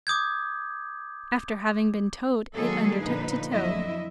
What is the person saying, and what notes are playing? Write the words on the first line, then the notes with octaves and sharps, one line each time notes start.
After having been towed, it undertook to tow.
D6 D#6 G6 G#6
D#3 F#3 G#3 A#3 G#4 A4
A#2 D3 F3 D#4 B4
F2 D3 F#3 E4 D#5 E5